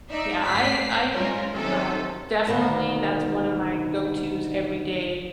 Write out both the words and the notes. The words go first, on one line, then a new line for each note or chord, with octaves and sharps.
yeah, I I, um definitely that's one of my go-to's every day
D#4 D5 E5
G#1 A2 D5 B6 C7
G3 G#3 C#4 F4 A#4
C3 D#3 F#3 C#4 A4
D2 B2 D#3 A#3